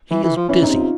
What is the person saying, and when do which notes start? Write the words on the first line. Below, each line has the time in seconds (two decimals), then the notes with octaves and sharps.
"He is busy."
0.11 E3
0.24 E3
0.36 F3
0.49 E3 C#4
0.63 D#4
0.68 C3
0.75 F4